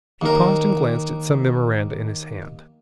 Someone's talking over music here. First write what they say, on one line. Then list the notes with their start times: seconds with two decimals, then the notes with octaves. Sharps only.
He paused and glanced at some memoranda in his hand.
0.21 D#2 A#4